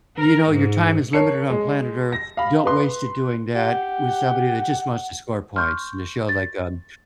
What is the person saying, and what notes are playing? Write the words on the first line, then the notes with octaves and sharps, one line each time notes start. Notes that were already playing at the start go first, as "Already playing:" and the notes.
you know, your time is limited on planet Earth, don't waste it doing that with somebody that just wants to score points, and to show, like, um,
A#4
G#2
A#4 C#5 A5 C7 C#7
G#3
A#6
F5 B5
B4 C6
G4 F#5
C6 C#6 F6 G6
A6